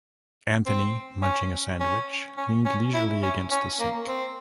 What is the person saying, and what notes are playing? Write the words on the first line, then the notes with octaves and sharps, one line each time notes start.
Anthony, munching a sandwich, leaned leisurely against the sink.
C4
C#4
C#4
C#4
C#4
E4
C#4
C#4
A#3
C4